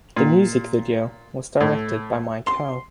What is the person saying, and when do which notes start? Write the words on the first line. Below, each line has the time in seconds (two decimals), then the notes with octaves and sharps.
The music video was directed by Mike Ho.
0.16 A#2
1.60 A2
2.47 C6